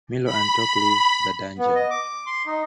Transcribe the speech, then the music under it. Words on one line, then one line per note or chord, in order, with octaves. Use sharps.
Milo and Tock leave the dungeon.
B5
B3
D#5
D6
C6
D#4